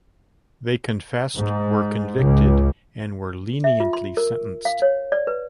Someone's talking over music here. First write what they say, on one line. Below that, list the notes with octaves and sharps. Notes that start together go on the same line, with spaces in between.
They confessed, were convicted, and were leniently sentenced.
G#2
C#2
E5
F4
C6
A#4
F5
C#5
D5
B4